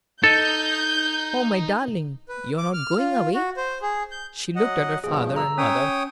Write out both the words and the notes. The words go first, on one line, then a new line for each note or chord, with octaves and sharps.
"Oh, my darling, you're not going away!" She looked at her father and mother.
D#4 A4 G6
B4
D6
F6
F4
F#4
C5
G#4
G6
F#3 D#5 F#5
G2 B2 F3 G#4
A#5 E6
C#4 C#5 G5 D#6